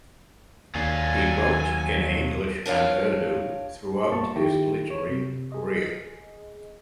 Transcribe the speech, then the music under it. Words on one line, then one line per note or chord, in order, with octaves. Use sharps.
He wrote in English and Urdu throughout his literary career.
D#2 F#3 D5 F5 G#5
D4 A#4 C#5 F5
G2 A#3 A5 C#6
D#3 E4 G4
C#5
C3
G#4 D#5